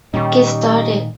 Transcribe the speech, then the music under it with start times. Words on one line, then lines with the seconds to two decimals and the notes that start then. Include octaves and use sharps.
Get Started!
0.14 A#2 D#3 G3 C#4 D#4 C#6